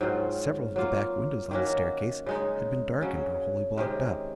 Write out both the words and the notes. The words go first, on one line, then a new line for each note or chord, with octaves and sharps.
Several of the back windows on the staircase had been darkened or wholly blocked up.
G#2 F#3 C4 F4
F#3 A#3 F4
D#3 A#3 C#4 F#4
C#3 G#3 D#4
C#3 F#3 C#4
C3 D#3 G#3 C#4